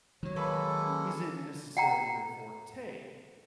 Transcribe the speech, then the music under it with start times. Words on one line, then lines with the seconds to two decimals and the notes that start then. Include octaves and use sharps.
isn't, necessarily, your forte.
0.23 D#3 F#3 C#5
0.36 G#3 A#3 A4 B4
0.86 C#4
1.77 F#5 G5 A#5